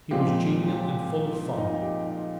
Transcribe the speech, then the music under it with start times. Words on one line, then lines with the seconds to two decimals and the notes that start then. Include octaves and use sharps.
He was genial and full of fun.
0.11 A#2 F3 G#3 C4 G4
1.58 D#4
1.81 G4
2.05 D#4